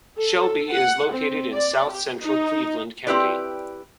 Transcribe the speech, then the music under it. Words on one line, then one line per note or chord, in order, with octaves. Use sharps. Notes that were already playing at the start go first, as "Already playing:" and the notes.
Shelby is located in south-central Cleveland County.
A4
F#5
C4
D5
G4
D#4
C4 E4 G4 B4 D5